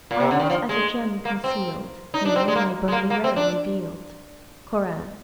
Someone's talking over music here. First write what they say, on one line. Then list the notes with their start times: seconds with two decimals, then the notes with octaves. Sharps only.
"I was as a gem concealed; Me my burning ray revealed." Koran.
0.11 A#2
0.20 C3
0.31 D3
0.40 D#3
0.50 F3
0.69 G#3
1.25 A#3
1.44 C4
2.14 D#4
2.25 D4
2.36 C4
2.48 G#3
2.56 A#3
2.88 G#3
2.92 A#3
3.10 A#3
3.24 C4
3.36 D4